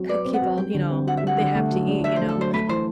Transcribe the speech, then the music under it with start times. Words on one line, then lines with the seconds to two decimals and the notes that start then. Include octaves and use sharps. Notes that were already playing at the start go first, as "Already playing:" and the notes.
Uh, keep all you know, they have to eat, you know,
Already playing: F#3 C4 F#4
0.09 B4 D5
0.25 C4
0.33 F#5
0.42 F#3
0.58 G3 G5
0.74 D3
0.90 C4
1.06 F#4 F#5
1.17 E5
1.23 G3 F#5
1.39 D3
1.55 A3
1.71 F#3
1.88 D4
2.04 F#3 E5
2.16 A3 C5
2.29 A4
2.37 F#3 C5
2.54 A3 B4
2.69 E3 C5